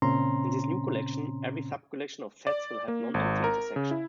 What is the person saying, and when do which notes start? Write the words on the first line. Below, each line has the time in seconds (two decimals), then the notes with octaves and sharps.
In this new collection, every subcollection of sets will have nonempty intersection.
0.02 A#2 C#3 C4 C#4 A#5 C6
2.47 D5
2.88 A#3
3.14 G#1
3.44 A#4
3.76 C#3
3.91 E4